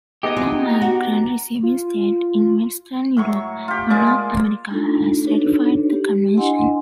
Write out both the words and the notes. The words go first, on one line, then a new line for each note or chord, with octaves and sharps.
No migrant-receiving state in Western Europe or North America has ratified the Convention.
B3 D#4 G4 G#4 D#5 D#6
E4 F4
A#5
F#4
F4
A2 F#3 C#6
F4 G4
G#3 A#3 D5
G#4
A3 D4 D#4 F4 A4
D4 D#4 F#4 A4 B4 C#5
G4
D4 E4 D#5 F#5 G#5 C6